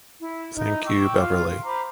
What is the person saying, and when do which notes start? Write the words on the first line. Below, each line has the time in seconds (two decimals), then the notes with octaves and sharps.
Thank You Beverley.
0.19 E4
0.55 D#4 E4 D#5
0.84 G5 C#6 D6 E6
1.20 F4 F5 C6
1.49 C6
1.64 C5 A#5 B5 D6